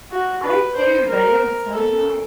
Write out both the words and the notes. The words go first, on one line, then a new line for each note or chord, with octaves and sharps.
I do too, but it was so much.
F#4
B4
C5
A#4
A4